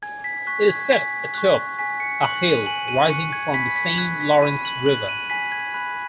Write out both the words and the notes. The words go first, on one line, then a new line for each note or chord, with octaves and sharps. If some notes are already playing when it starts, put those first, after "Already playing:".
It is set atop a hill rising from the Saint Lawrence River.
G#5 G#6
B6
C#6 F#6 B6
G#6
G#5 B6
C#6 F#6
G#5 B6
C#7
C#6 F#6 F#7
D#7
G#5 F#7
D#7
C#6 F#6 C#7
G#6
B5 B6
B6
F#6 G#6
B6
B5 D#7
F#7
F#6 F#7
D#7
G#5 B6
G#6
B5 F#6